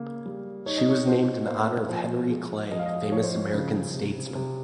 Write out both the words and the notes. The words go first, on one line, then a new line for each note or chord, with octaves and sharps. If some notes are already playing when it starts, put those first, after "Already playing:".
She was named in honor of Henry Clay, famous American statesman.
Already playing: C#3 A#3
G3
D#4 C#5
D#5
C#5
A#2 C5
A#3 C5
F3 C5
G#3
F2 D#5
F5
D#5
F3 C#5
C5
C#5
C#3
C3
C3